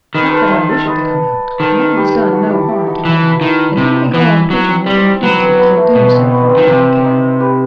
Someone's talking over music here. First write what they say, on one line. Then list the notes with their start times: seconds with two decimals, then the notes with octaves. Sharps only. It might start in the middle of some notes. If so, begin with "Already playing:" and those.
Not that I wish it to come out; the man has done no harm to me, and he may go on poaching with impunity till doomsday for all I care.
0.14 D#3 B4 D#5
0.27 B4
0.32 A4 C5
0.51 C5 E5
0.69 A4 C5
0.87 B4 D#5
1.59 D#3 A4 C5
1.86 A4
1.97 G4 B4
2.33 F#4 A4
2.50 E4 G4
2.69 E4 G4
2.87 D#4 F#4
3.05 E3 E4
3.37 D#3 E4 F#4
3.77 C3 D#4
3.94 C4
4.04 D#4
4.14 E3 E4
4.50 F#3 D#4
4.68 C4
4.86 G3 C4
4.97 C4
5.04 D#4
5.23 F#3 B3
5.40 C4
5.59 B3
5.77 A3
5.95 B2
6.06 B3
6.13 C4
6.31 B3
6.49 C4
6.57 D#3
6.67 C3 C4
7.05 D#4
7.40 G4 B4